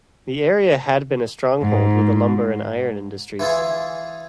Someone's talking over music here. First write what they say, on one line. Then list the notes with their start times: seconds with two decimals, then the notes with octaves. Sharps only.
The area had been a stronghold with the lumber and iron industries.
1.62 G#2
3.39 E3 E4 F4 G#4